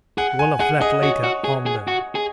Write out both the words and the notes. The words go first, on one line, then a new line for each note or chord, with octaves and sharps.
Well, of that later on, though.
G#4 F#5
G#5
G#4 F#5
G#4 D#5
F#4 C#5
F#4
G#4
G#4
F#4
G#4